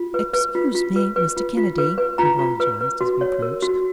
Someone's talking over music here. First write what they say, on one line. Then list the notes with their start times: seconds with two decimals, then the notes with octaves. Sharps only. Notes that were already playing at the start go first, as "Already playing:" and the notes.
"Excuse me, Mr. Kennedy," he apologized, as we approached.
Already playing: F4
0.14 B4
0.33 B4
0.55 F4
0.75 F4
0.96 B4
1.16 B4
1.37 F4
1.57 F4
1.78 B4
1.98 B4
2.18 F4 A#5
2.39 F4
2.60 B4
2.81 B4
3.01 F#4
3.21 C#5
3.42 A#4
3.63 F#4